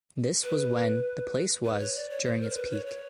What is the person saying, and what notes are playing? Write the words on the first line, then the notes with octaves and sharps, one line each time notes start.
This was when the place was during its peak.
B4
B4
C#5
D5
C#5
C5
A#4
C5
B4
C#5
C#5